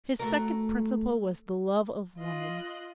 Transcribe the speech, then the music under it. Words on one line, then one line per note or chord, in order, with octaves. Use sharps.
His second principle was the love of woman.
A3 F#4 A#4
F4 D#5 F#6